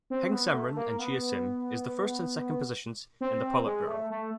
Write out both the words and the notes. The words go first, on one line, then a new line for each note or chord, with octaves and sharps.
Heng Samrin and Chea Sim is the first and second positions in the Politburo.
C4
B3
A3
A#3
B3
C4
G#3
A3
A3